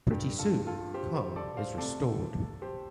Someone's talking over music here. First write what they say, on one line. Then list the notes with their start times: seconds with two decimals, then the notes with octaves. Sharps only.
Pretty soon, calm is restored.
0.11 G2 G3 G4
0.38 F4 A4
0.67 F4 A4
0.94 G4 C5
1.15 G4 C5
1.36 A4 D5
1.57 C5 F5
1.78 C3 A3 A4 D5
2.62 G4 C5